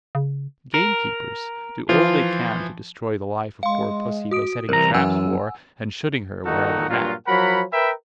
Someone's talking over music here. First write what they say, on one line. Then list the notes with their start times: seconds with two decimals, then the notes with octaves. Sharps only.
Gamekeepers do all they can to destroy the life of poor pussy by setting traps for, and shooting her wherever met.
0.15 C#3
0.74 A#4
1.89 E3 F3 F4
3.63 G#3 F5 C6
4.31 F#4 D#6 D7
4.69 C2 E3 A#4 A#5
4.94 F#2 F#5 G#5 E6
6.46 A#2 D#3 D#4 F#4 A4 F#5
6.89 G2 A#2 F#3 F4
7.27 F3 F#3 A#4 F#5 B5
7.73 A#4 B4 E5 G5 B5